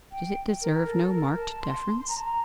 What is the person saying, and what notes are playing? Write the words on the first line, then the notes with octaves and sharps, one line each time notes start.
Did it deserve no marked deference?
G5
A#4
A4
A#4
A4
A#4
A5
C6
C6
A#5
A5
A#5